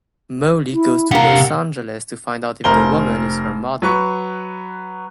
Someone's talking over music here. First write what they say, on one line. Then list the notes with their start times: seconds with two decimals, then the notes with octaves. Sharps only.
Molly goes to Los Angeles to find out if the woman is her mother.
0.73 E4
1.11 C3 D4 G4 A#4 F5 F#5
2.64 F1 A#4 C5 G7
3.82 F#3 B4 C#6